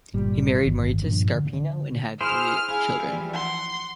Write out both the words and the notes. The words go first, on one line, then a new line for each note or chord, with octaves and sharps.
He married Marita Scarpino and had three children.
G1 A#2 G3
D1 G1 D#3
G2 A#2 F3 D4
D3
D3
E4 G#4 C5 F6
E4 G#4 F5
E3 F3 G3
F#5 C6